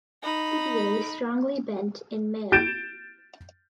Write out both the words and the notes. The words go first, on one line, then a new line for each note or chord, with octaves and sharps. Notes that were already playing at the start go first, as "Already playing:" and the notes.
Tibiae strongly bent in male.
D#4 B5
G6 A6 D7 E7